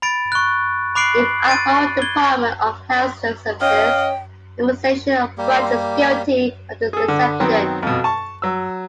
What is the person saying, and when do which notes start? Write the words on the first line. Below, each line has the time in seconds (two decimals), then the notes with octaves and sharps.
Even our own Department of Health Services, Immunization Branch is guilty of this deception.
0.02 B5 A6 D7
0.32 C#6 F#6
0.95 B5 D6 F#6 C7 D7 F#7
1.48 A6 D7 D#7
2.02 G#6 G7
3.61 C#4 D#5 F5 G5
5.38 G3 A#3 G4
6.93 G#4 A4
7.08 D3
7.40 D#3 F#3 B3 C4
7.83 F2 B2
8.04 A5 C#6
8.42 F#3 E6